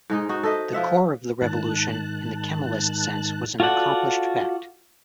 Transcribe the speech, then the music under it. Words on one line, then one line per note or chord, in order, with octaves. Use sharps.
The core of the revolution, in the Kemalist sense, was an accomplished fact.
G#2 G#3 D#4
D#4 F#4
A4 C5 D#5 E5
F3 F4 E5 F#5
G#2 D#3 A5 F#6
F4 F#4 A4 D5 F#5